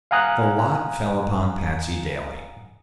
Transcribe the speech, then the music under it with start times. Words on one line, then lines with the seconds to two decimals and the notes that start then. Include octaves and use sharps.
The lot fell upon Patsey Daly.
0.11 F5 F#5 G#5 A#5 D#6 F#6